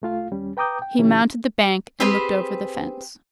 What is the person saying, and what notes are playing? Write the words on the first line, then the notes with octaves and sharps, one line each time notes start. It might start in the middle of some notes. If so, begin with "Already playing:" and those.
He mounted the bank and looked over the fence.
C2 A3 F4 F5
D#2 G3 C#4
B4 G5 A#5 D6 D#6 G6
G5
B2 D#3 F3 C#4 E4 G4
C4 G4 G#4 B4 C5